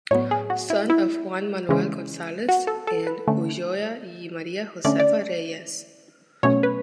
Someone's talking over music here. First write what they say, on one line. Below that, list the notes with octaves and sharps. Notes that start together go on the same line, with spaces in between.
Son of Juan Manuel González and Ulloa y María Josefa Reyes.
A2 F#3 B3 C#5
G#4
F#4
E4
E4
C#3 E3 G#3 C#4
F#4
A4
A4
B4
D3 A3 C#4
D3 A3 C#4 D5
D5
B2 F#3 A3 C#4 C#5
B4